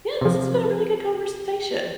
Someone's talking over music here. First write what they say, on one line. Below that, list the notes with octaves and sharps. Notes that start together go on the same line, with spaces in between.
yeah, this has been a really good conversation.
C3 F3